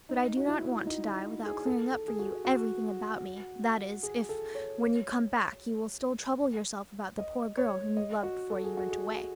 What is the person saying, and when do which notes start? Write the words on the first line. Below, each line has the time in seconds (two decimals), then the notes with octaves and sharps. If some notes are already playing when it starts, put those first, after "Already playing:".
But I do not want to die without clearing up for you everything about me; that is, if, when you come back, you will still trouble yourself about the poor girl whom you loved before you went away.
0.09 D#4
0.37 F#4
0.48 E4
0.87 D#4
1.07 E4
1.46 G#4
1.66 A4
1.92 A4
2.08 G#4
2.19 F#4
2.45 F#4
4.03 G#4
4.29 A4
4.55 C#5
4.82 C#5
7.19 D#5
7.57 C#5
7.97 D#5
8.23 F#4
8.50 A4
8.64 G#4
8.77 F#4
8.92 G#4